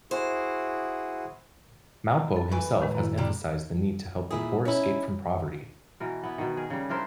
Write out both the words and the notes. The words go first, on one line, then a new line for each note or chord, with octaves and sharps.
Moupo himself has emphasized the need to help the poor escape from poverty.
E4 F#4 G#4 C5
A4
E3 B4 C#6
A2 D#3 G#3
F#2 E4
C3 G3
A#2 E4 G#4
C#4 D#4 E4
B2 E3 A#4
B3 E4
B2 D#3
G#4 A#4
C#3 G3
D4 E4 A#4 C5